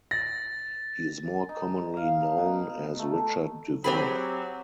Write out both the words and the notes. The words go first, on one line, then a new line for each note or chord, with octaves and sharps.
He is more commonly known as Richard Duval.
A6 A#6
D#4
F5
A#5
B2
A3
F#3 C4 G4 G#4 B5